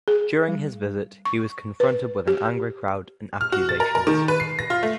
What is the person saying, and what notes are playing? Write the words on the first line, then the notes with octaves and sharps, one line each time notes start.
During his visit he was confronted with an angry crowd and accusations.
G#4
G3
C#6
B4
G4
F6
F#4
A6
A#4
A#4
D#3
B4
C7
A#6
F4
A3